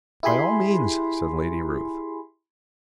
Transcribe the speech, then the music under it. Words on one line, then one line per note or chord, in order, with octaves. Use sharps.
"By all means," said Lady Ruth.
E4 G4 G#4 G#5 B5 C6